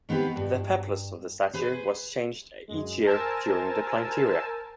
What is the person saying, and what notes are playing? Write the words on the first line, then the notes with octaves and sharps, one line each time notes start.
The peplos of the statue was changed each year during the Plynteria.
D#3 B3 C4 G4 B4
G2
G#4 B4 C5
F#2 G#3
A#4 C5 G#5 A5 E6